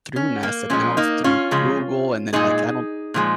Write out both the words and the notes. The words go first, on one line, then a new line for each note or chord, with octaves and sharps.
through Nest, eh, now it's through Google, and then, like, I don't
C#4
A#3
A#2 F3 G#3 C#4
A#3 D#4
C#4 F4
C#3 F3 G#3
A#2 F3 G#3 D#4 G#4
A#2 F3 G#3